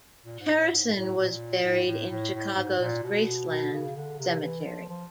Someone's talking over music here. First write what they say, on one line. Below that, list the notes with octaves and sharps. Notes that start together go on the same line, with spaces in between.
Harrison was buried in Chicago's Graceland Cemetery.
A#2
G#2
A2
G#2
G#2
A2
A#2
A2
A2
A2
A2
G#2
A#2
B2
B2
C#3
D3
C3
E3
F3
F3